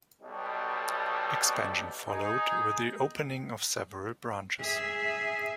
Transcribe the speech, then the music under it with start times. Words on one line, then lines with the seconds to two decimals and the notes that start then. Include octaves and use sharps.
Expansion followed with the opening of several branches.
0.21 B1 B2 G3 D#4 A4
2.07 D#4 G#4
4.61 G#4 E5